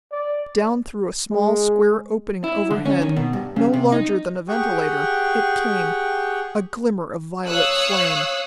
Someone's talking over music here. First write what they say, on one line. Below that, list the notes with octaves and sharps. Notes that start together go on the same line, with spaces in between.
Down through a small, square opening overhead, no larger than a ventilator, it came ... a glimmer of violet flame!
D5
G#3
E4
D3
C#4
D#3
B2
G2
C#3
C3
D#4
G4 G#4 F#5 G5 C#6
C#5 F5 D#6 E6 F#6